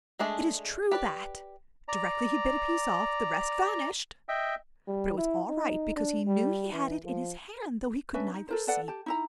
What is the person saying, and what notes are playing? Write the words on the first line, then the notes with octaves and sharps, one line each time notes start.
It is true that, directly he bit a piece off, the rest vanished; but it was all right, because he knew he had it in his hand though he could neither see nor feel it.
G#3 A3 D4 G#4
G4 B4 D5
D5 A#5
D#5 E5 G5
G3
E4
D#4
D4
G3
E3
F3
C#4 D4 B4 E5
D#4
A4 A#4 C5
A4 B4 D5 F#5
G4 A5
D#4 E4 A#5